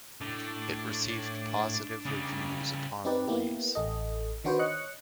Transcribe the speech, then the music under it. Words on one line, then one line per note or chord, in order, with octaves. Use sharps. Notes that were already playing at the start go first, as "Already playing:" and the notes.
It received positive reviews upon release.
A2 D4
C#3 G3
C4 D#4 G4 B4 D5
A#3 B3 E4 G4
A1 A4 D#5
D#3 D4 F#4 B4 C5 D5
C#5 D#5 F#6 C#7